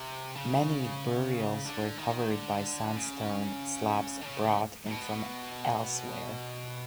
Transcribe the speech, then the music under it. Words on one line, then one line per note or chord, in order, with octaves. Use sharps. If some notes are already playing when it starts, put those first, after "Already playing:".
Many burials were covered by sandstone slabs brought in from elsewhere.
Already playing: C3
C#3
D3
D#3
D3
C#3
D3
C#3
A#2
B2